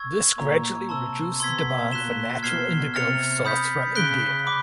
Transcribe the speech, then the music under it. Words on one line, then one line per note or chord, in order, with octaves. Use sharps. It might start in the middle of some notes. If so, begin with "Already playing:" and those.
This gradually reduced the demand for natural Indigo sourced from India.
Already playing: C#6 E6 G#6
A#2 A#5 C#6 E6
C3 A5 C6 E6
B2 C6 E6 G#6 B6
A#2 F#6 B6 E7 G7
B2 F6 G#6 C7 E7 G7
C3 F6 A6 C#7 F7
B5 D#6 G6 B6
C#3 F#6 B6 D7 G7
B5 D6